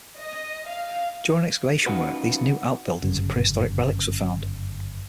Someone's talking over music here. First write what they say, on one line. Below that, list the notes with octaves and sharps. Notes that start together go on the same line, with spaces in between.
During excavation work for these new outbuildings prehistoric relicts were found.
D#5
F5
C#4 D#4 F4 F#4 B4
G1 F#2 C#3